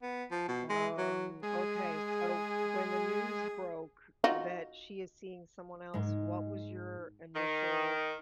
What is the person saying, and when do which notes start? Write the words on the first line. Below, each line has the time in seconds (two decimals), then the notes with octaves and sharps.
Oh, okay, so when the news broke that she is seeing someone else, what was your initial
0.02 B3
0.31 F3
0.48 B2
0.69 G#3
0.98 F#3
1.43 G#3 G#4
4.24 D#4 F4 F#4
5.94 G#2 G#3
7.34 D#3